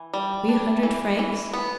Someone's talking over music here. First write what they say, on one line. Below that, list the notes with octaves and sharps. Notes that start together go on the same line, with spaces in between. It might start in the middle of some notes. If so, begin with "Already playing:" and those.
"Three hundred francs?"
Already playing: E3
G3
D4
E3
E3
B3